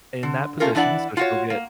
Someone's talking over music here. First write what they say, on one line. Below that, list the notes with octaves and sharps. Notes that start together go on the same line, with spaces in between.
in that position, so she'll get
D3
A3 C#4 F4 A#4
E3 D4 E4 D5 F#5
F4 F#4 C#5
A#3